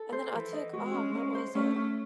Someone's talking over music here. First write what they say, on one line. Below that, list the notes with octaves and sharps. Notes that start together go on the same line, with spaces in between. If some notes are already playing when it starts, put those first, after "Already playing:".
And then I took Oh, what was it?
Already playing: A4
C5
E3 A4
D#5
G#3 F#4
C#4
C#4
C5
A3 C#4
C#4